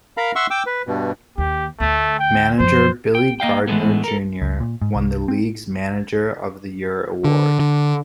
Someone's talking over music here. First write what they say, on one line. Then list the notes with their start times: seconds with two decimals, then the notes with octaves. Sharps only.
Manager Billy Gardner, Junior won the league's Manager of the Year award.
0.17 A#4 F5 A#5 B5
0.36 E5 F#5 C6 C#6 E6
0.50 G5 D6 E6
0.66 B4
0.87 G2 B2
1.38 D#2 G4
1.80 D2 A3
2.19 G5
2.59 F#2 F3 C5
3.15 G5
3.40 A#3 D#5 F5 G5
3.67 A2 E3 F#3 G#3 A3 B3
4.04 A4 A#4
4.42 C#2
4.60 A#2
4.81 G#2
4.95 C2
5.28 C4
7.25 D3
7.59 D3